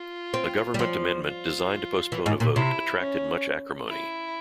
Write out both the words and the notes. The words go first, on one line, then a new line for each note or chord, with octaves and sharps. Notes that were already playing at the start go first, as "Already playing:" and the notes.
A government amendment designed to postpone a vote attracted much acrimony.
Already playing: F4
C4
G3
F3
F4
E3
G#2
A#2
C3 E4
C#4
E4